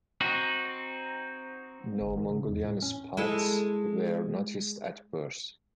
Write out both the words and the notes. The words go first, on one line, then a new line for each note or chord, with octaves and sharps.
No Mongolian spots were noticed at birth.
C4 D#4 F#4
G1
D#3
C#3
E2
A2
C#4
G#3 E4 A4